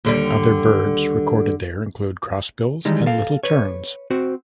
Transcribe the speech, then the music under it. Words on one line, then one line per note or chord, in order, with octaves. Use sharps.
Other birds recorded there include crossbills and little terns.
D#2 D3 G3
D#3 E3 G3 G#3 D#4
A4 F5
B4 C#5
C4 F#4 C5